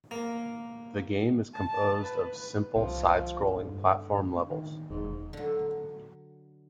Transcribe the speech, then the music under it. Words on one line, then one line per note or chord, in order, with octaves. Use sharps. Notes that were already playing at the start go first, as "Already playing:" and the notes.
The game is composed of simple side-scrolling platform levels.
A#3
A5
B4
C2 F3
G2 D3
D#3
E1 G#2
D3 F#3